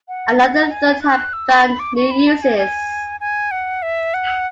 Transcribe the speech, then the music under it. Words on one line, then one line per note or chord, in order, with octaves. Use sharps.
Another third have found new uses.
F#5
F#5
G#5
F#6
E6
C#6
B5
D6
C#6
B5
A5
G#5
G#5
G#5
F#5
E5
F#5